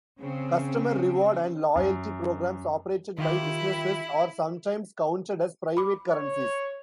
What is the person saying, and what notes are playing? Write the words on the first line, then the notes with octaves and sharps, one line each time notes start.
Customer reward and loyalty programs operated by businesses are sometimes counted as private currencies.
C#3 C4
F#2
D#3 E4 F4 G4
B5 D6
C#5